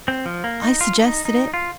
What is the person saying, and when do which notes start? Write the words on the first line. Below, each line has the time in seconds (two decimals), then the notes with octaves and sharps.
I suggested it.
0.08 C4
0.26 F3
0.44 A#3
0.62 D#4
0.81 F4
0.99 D#4
1.25 D#4
1.54 F4